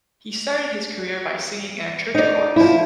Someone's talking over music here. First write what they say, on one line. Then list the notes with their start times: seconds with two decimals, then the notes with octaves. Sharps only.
He started his career by singing in a church chorus.
2.15 D#4 D5
2.56 F3 E4